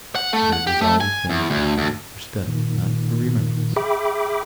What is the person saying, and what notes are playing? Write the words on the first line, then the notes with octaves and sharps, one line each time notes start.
But it has always been as a matter for study, not for remembrance.
F#5
A3
F#5
G4
A3
G#5
E2
D2
D2
A#2 D#3
G#4 E5 G5 B5 D6